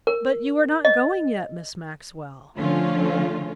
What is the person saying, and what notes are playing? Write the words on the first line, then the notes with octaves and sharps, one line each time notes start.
But you are not going yet, Miss Maxwell?
A#4
D#5
D3 F3 A3 C#4 F4